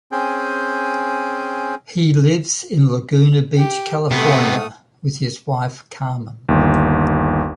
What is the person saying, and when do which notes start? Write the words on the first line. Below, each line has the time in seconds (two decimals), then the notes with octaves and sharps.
He lives in Laguna Beach California with his wife Carmen.
0.12 C4 C#4 G#4 G5
3.58 G4
4.11 C3 A3 B3 D#6
6.49 G1 D#2